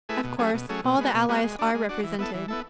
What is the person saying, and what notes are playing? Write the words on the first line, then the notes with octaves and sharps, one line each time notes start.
Of course, all the allies are represented.
A3 E4 G#4 B4
B2
F#3 A3 C#4 G#4
B2
F#3 A3 C#4 G#4
B2
G#3 B3 F#4
B2
G#3 B3 F#4
G#3
D4 F#4
G#3
D4 F#4
E3
B3 E4 A4
E3
B3 E4 A4